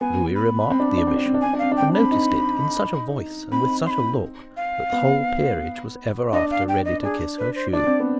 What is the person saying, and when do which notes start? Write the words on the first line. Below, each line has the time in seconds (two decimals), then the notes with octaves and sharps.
Lewis remarked the omission, and noticed it in such a voice and with such a look that the whole peerage was ever after ready to kiss her shoe.
0.01 B3 G#5
0.35 B5
0.71 C4
0.80 D4
0.89 C4
0.98 D4
1.07 C4
1.16 D4
1.26 C4
1.34 D4
1.41 C4 G#5
1.53 D4
1.59 C4 F5
1.72 D4
1.77 C4 G5
1.89 D4
1.94 C4 B5
2.11 D#4
3.52 C4 B5
3.86 C6
3.90 B5
4.57 F5
4.92 B3
6.33 D4 D#5
6.51 F5
6.68 G5
6.85 D#5
7.03 D4 G#4
7.38 B4
7.55 C5
7.73 D4 D5
7.87 C4
8.00 B3